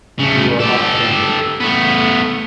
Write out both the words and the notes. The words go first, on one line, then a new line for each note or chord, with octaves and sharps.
"You are hot-tempered."
C#3 A3
G4 A4
A3 B3